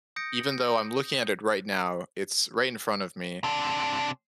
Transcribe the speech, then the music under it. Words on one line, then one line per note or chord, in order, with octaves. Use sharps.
even though I'm looking at it right now, it's right in front of me.
D#6 G6 A#6 C#7 D7
C3 D4